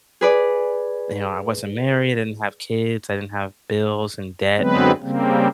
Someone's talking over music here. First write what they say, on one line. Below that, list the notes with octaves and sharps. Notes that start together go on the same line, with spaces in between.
you know, I wasn't married, I didn't have kids, I didn't have bills, and debt, and
G#4 B4 D5
D3 F#3 G#3 B3 C4 B4
C#3 G3 A#3 C4